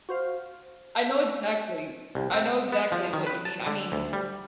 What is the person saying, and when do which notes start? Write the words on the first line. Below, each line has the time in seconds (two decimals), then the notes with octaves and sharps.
I know exactly I know exactly what you mean I mean,
0.09 F#4 C5 F5
2.15 C2
2.33 C4
2.72 B3
2.92 F3
3.13 D#3
3.27 B4
3.45 A5
3.66 D3
3.92 D2
4.13 G3